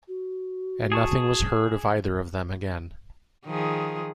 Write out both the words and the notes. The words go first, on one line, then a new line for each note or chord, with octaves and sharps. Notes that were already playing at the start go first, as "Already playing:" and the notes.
And nothing was heard of either of them again.
F#4
G#4 A5 C#6
D#3 F3 G#4